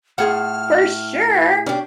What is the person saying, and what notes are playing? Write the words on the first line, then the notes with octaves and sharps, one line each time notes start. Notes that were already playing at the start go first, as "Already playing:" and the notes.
For sure!
A2 F4 G#4 A4 F#5 F6
C#4 D4 G4